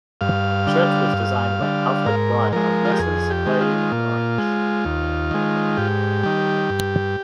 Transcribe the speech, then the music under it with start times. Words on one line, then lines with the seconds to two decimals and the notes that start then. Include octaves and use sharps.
The church was designed by Alfred Bryer of Messrs. Leigh and Orange.
0.21 G2 F5
0.67 D3 G3
1.13 G2
1.61 D3 G3
2.06 G#2 A#4
2.52 F3 G#3 A#4
2.85 F4
2.92 G4
2.99 F2 G#4
3.30 G4
3.46 D#3 G#3
3.61 F4
3.92 A#2
4.38 G#3
4.85 D#2
5.31 D#3 G#3
5.77 G#2 G4
6.23 D#3 G3
6.70 G2